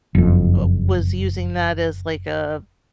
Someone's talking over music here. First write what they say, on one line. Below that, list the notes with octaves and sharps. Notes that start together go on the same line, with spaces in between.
uh was using that as, like, a
F#1 F2